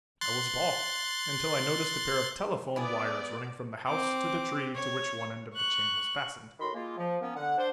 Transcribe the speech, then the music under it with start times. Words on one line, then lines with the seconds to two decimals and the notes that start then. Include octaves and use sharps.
I was balked, until I noticed a pair of telephone wires running from the house to the tree to which one end of the chain was fastened.
0.21 C6 F#6 A6
2.76 B3 E4 G#4 D5
3.88 C4 D6
4.75 C#5
5.55 C#6 F#6
6.60 A2 D#3 F#4 B5 C6
6.75 G#3 A#3 F4
6.98 F3
7.21 A#3 B3 C#4
7.36 D3 F#5
7.58 D4 C5